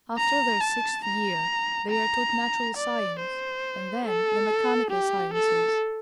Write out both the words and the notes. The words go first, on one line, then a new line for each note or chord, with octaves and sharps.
After their sixth year they are taught natural science, and then the mechanical sciences.
A#5
A5
A#5
A#5
D5
C5
A4
G4
A4